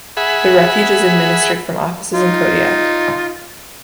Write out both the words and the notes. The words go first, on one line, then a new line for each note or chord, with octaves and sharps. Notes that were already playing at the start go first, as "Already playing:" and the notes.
The refuge is administered from offices in Kodiak.
G#4 E5 F#5 B5
D#4 F4